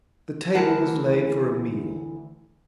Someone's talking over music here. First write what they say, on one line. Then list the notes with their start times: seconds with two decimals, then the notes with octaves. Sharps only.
The table was laid for a meal.
0.55 D2 E3 A#4 F#5 A5